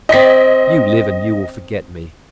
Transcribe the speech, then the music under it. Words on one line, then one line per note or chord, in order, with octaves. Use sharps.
You live and you will forget me.
C4 D5 D#5 B6